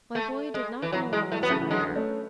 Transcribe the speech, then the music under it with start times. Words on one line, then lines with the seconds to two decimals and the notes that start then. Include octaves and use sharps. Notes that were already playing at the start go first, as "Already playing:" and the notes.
My boy did not know of this prayer.
0.15 A3
0.54 G#3
0.82 E3
0.93 E3 F#3
1.03 F#3
1.12 E3 G#3
1.22 F#3
1.31 E3 A3
1.41 F#3 B3
1.49 C#3 E3 A3
1.61 E3
1.70 D3 F#3 G#3
1.96 A3 C#4